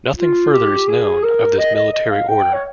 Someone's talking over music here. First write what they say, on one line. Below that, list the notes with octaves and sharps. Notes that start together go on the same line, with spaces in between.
Nothing further is known of this military order.
F4
G4
G#4
A#4
D#5
D#5
D#5
F5
G5
C#5